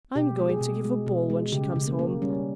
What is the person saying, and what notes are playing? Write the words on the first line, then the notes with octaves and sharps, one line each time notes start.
I am going to give a ball when she comes home.
B2 G4
G#3
G#4
B2
G#3
B2
G#3
C#3 G4
C#3
A#3
A#3
G3 C#4